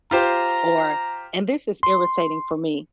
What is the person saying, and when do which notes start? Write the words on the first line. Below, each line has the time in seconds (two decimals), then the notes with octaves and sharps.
or and this is irritating for me,
0.11 F4 G4 C5 A#5
1.83 C6